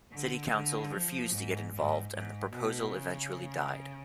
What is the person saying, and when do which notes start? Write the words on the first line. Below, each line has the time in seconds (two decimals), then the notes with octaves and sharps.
City council refused to get involved and the proposal eventually died.
0.11 D3
0.53 D3
0.92 F3
1.32 G#2
1.73 G#2
2.13 G#2
2.53 B2
2.94 C#3